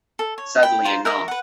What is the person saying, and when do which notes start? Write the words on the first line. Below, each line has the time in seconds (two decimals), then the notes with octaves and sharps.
Suddenly, a knock.
0.19 A4
0.38 C#5
0.63 G5 B5
0.85 F4 C5 A#5
1.05 A#4 E5 A#5
1.28 B4 F#5